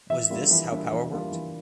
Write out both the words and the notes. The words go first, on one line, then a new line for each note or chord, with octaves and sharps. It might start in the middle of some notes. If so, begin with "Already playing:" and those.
Was this how power worked?
E3 E5
G3 A#3 D4 F4
E3
G3 A#3 D4 F4
E3
G3 A#3 D4 F4
E3